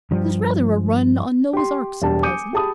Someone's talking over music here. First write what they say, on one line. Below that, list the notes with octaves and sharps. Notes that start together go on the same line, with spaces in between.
There's rather a run on Noah's Arks at present.
G2 F3 G3
G4 C6
E1 G3 G4 A5
G#5 D6 D#6 G6 C#7 D#7
G4 G#4 A5 B5 D#6